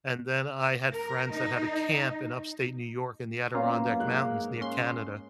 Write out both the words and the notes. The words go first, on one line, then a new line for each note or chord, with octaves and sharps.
and then I had friends that had a camp in Upstate New York in the Adirondack Mountains near Canada,
A#4
D#4
F#3 A#3 B3 C#4 F4 F5 A#5
G#2 G#3 F#6
C#4 C6